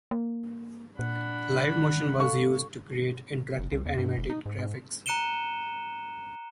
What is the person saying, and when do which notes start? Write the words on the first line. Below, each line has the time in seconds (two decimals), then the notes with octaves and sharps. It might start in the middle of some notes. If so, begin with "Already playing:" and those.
LiveMotion was used to create interactive animated graphics.
0.11 A#3
0.99 A#2 D4 F#5 B5
2.20 A4 F5 C#6
3.59 F#1
3.72 C2
3.86 E2
3.97 G2
4.18 F1
4.30 D#4
4.46 G#2
4.58 G#2
5.06 A#5 F#6 C#7 D#7 E7 G7